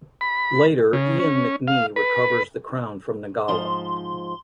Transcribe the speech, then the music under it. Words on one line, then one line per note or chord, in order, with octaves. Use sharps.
Later, Ian McNee recovers the crown from Nagala.
B5
C#3
C#4
F5
B4
G#2 F3 C5 C6